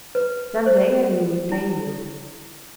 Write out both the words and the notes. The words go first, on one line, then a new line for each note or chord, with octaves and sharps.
"Some day I will repay you."
B4
C5
E4